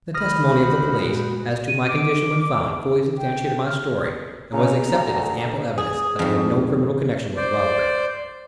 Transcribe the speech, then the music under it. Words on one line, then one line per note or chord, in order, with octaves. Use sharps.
The testimony of the police as to my condition when found fully substantiated my story and was accepted as ample evidence that I had no criminal connection with the robbery.
C#2 D#3 A3 C5 B5 D#6 F6 A#6
F#4
G2 A#2 G#3
D#7
D6
G5
F6
C#3 A#5
D2
G#4
F2 G#2
C5 D5